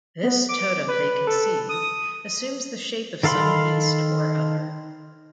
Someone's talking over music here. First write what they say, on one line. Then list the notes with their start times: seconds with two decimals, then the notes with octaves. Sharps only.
This totem they conceive assumes the shape of some beast or other.
0.22 B3
0.49 D6
0.88 B4
1.27 A4
1.69 D#6
3.23 D#3 A4 F5 B5 C6